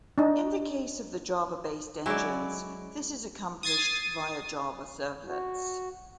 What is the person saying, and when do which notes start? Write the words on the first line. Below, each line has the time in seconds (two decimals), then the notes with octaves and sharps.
In the case of the Java-based engines this is accomplished via Java servlets.
0.18 D4 D#4
2.06 F#3 G#3 C#4 E4 D5
3.63 D#6 G#6 A6 C7 D#7
5.27 F#4